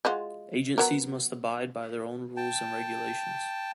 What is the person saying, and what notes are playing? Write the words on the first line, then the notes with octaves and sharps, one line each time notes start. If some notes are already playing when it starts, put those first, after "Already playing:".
Agencies must abide by their own rules and regulations.
G#3 F4 F#4
F#3 B3 A#4
G5 A5